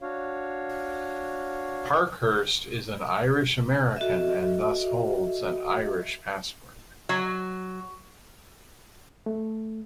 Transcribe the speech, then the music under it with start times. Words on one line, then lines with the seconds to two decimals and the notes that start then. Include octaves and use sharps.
Parkhurst is an Irish-American and thus holds an Irish passport.
0.01 D4 F#4 C#5 F5
3.97 F#4 A4 D#5 E5
7.09 F#3
9.26 A3